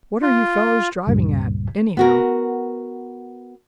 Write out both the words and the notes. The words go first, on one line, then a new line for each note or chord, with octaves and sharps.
"What are you fellows driving at, anyhow?"
F4
C#2 G2 A#2
B3 F#4 A#4